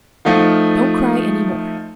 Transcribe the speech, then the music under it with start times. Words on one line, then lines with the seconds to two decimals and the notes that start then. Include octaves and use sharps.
Don't cry any more.
0.25 F3 A3 D#4 F4